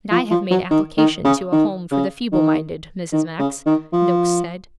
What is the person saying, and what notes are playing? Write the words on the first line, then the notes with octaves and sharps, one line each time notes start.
'And I have made application to a home for the feeble-minded, Mrs. Max,' Noakes said.
F3
F3
F#3
D#3
D#3
C#3
D#3
C#3
D#3
D#3
C#3
D#3
F3